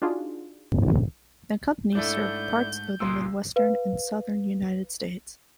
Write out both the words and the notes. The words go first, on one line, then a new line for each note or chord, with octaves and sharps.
The company served parts of the Midwestern and Southern United States.
D4 D#4 F4 F#4 G#4
G#2 A3 D4 E4 A4 G6
C#2 A#2 G#3 C6 E6
B4 F5